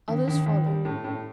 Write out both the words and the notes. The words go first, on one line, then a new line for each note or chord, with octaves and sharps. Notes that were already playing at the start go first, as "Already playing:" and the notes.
Others followed.
D#2
D#2
D#2
G3
A2
A2